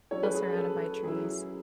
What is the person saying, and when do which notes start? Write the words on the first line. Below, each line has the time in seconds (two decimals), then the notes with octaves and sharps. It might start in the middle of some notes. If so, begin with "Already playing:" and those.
Still surrounded by trees.
0.11 F#3 C#4 E4 C#5
0.23 B4
0.34 G#4
0.47 G#4
0.57 A4
1.04 F#3 C#4 E4 G#4